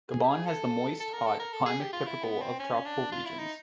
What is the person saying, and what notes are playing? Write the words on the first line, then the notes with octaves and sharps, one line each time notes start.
Gabon has the moist, hot climate typical of tropical regions.
G#4
G4
G#4
A4
A4
A#4
A4
A#4
A4
G#4
G4
F4
E4
B3
C4
C#4
D4
F4
E4
D#4